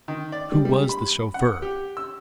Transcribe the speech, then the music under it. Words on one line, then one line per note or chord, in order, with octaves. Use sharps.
Who was the chauffeur?
D#3
D5
G3
G3
B5
F#5
G4
E6